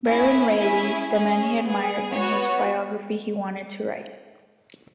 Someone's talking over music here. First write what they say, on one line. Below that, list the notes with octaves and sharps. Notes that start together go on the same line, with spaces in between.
Baron Rayleigh, the man he admired and whose biography he wanted to write.
C#4 E4 G#4 E5 G#5
C#4 E4 G#4 E5 G#5
C#4 G#4
B3 G#4
B3 F#4 C#5